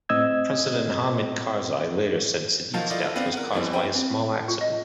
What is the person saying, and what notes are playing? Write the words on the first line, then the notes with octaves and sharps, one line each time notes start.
President Hamid Karzai later said Sadiq's death was caused by a small accident.
A2 C4 D#5 E6 G#6
D#3 F3 F#3 F5 A5
E4 F4 A4 D5 D#5
B3 C4 D4 B4 F5
A#4 F#5
F2 E3 G3 B3 C4
C#4 G4 B4 C5 E5 G5
C4
F4
D#5